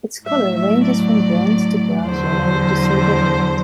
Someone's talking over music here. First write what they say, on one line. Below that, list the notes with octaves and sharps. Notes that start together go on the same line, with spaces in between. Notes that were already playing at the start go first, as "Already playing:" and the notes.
Its color ranges from bronze to brass yellow to silver white.
A2 F#3 E5
E5
D5
E2 D3 F#3 C5